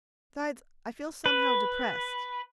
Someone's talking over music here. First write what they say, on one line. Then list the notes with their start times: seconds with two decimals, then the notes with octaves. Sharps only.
"Besides I feel somehow depressed."
1.26 B4